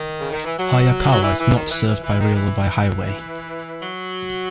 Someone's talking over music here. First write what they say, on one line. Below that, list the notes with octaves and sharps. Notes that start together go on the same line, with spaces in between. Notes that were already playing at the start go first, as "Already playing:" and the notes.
Hayakawa is not served by rail or by highway.
Already playing: D#3
C#3
D#3
E3
F#3
F#3
E3
E3
D#3
E3
E3
E3
D#3
E3
F#3